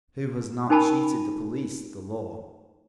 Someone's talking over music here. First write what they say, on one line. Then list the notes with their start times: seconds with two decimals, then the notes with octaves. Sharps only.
Who has not cheated the police, the law?
0.69 C#4 D#4 A#4 G#5 A5 B5